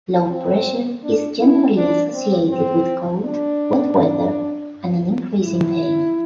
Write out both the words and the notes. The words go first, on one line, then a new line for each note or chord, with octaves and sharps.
Low pressure is generally associated with cold, wet weather and an increase in pain.
C4
D4
E4
D4
C4
C4
D4
E4